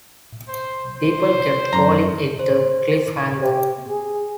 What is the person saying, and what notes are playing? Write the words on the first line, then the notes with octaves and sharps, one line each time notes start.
People kept calling it a cliffhanger.
C5
C5
F#2 A#5
C5
G4
G#4